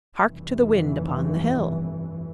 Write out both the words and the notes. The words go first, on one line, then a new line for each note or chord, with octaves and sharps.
Hark to the wind upon the hill!
F1 B1 G2 E3